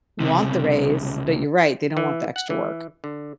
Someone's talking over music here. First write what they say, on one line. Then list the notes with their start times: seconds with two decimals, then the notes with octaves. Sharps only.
want the raise, but you're right, they don't want the extra work.
0.20 C#2 C3
1.97 E3
2.36 F#5
2.50 E3
3.04 D3